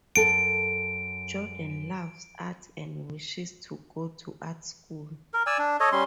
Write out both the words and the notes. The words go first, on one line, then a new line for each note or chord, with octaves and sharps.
Jordan loves art and wishes to go to art school.
F#2 A4 D7
A#4
D5 G#5 E6
D4
A4 C#5 D#5
G3 C#4 C6